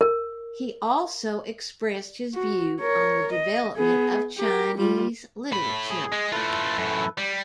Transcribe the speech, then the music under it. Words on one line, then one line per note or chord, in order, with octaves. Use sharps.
He also expressed his view on the development of Chinese literature.
A#4
F#4
A#4 C#5
D#5
B3 G#4
G4 A#4
G3 F4
A2 B5
G#4
G#3
A3 E4 F4 A4 B4
F#2 A2
G3